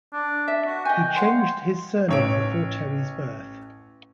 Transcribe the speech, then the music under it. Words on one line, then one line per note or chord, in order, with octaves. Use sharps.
He changed his surname before Teri's birth.
D4
E5
F#4
D#5 G5 G#5
C#5 F5 F#5 C6
A1 C#5 D7